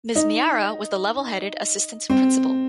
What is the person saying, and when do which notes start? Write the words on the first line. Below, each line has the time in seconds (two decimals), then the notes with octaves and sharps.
Ms. Meara was the level-headed assistant principal.
0.15 D#4
2.10 C4